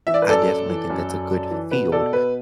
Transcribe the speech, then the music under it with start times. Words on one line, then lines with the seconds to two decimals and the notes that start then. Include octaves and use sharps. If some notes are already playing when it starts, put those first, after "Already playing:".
I definitely think that's a good field.
0.07 E3 E5
0.14 D5
0.22 B4
0.28 F#2 A4 D5
0.48 F#2
0.69 E3
0.90 F#2
1.09 F#2
1.31 F#2
1.51 E3
1.71 B2 B4
1.92 B2 A4 D5
2.13 B2 B4